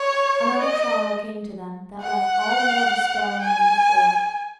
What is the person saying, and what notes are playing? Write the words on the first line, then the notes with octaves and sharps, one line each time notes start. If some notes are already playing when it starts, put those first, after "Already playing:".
Another trial came to them that left all more despairing than before.
Already playing: C#5
D#5
F#5
G#5